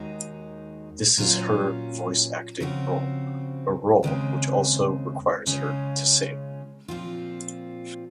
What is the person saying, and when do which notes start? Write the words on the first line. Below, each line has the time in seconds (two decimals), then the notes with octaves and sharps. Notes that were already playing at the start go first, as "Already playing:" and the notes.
This is her voice acting role, a role which also requires her to sing.
Already playing: D#2 D#3 G#3 D#4 F#4
1.18 A#2 F#3 C#4 F4
2.60 C#3 F3 C4 F#4
4.03 D#2 C#3 G#3 C4
5.47 C#3 G#3 C#4 F4
6.88 A#2 F3 C4 F4